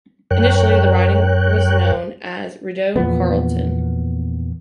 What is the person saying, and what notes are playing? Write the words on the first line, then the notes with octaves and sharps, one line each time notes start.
Initially, the riding was known as Rideau-Carleton.
F#2 A#4 C#5 G5 F#6
E2 A#2 F3 B3